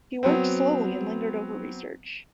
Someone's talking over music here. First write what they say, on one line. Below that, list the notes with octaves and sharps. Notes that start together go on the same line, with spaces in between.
He worked slowly and lingered over research.
F#3 B3 C4